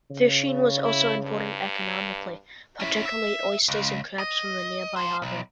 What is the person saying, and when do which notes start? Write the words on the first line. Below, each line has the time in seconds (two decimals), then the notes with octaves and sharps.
Fishing was also important economically; particularly oysters and crabs from the nearby harbour.
0.11 C#3
0.85 E4
1.23 G2
2.80 C#4 E4
3.05 E5
3.68 C#2
4.19 D#5
4.96 A#4 C5
5.22 B1